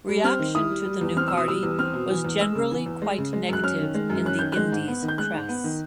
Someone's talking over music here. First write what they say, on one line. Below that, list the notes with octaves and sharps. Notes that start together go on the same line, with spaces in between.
Reaction to the new party was generally quite negative in the Indies press.
G3
C4 F6
D#3
E4 D#6
G3
G3
E2
C4 F6
E6
B2
D#6
G3 E6
E2
C4 F6
B2
E3
E2
G#3 E6
C#3
E3
E2
G#3
C#3
G#3
F#2 F#6
C#4 F6
D#3
G#3
F#2
C#4 F#6
D#3 G6
G#3 F#6
G#2
B3
D#3
G6
G#3 F#6
G#2
B3
D#3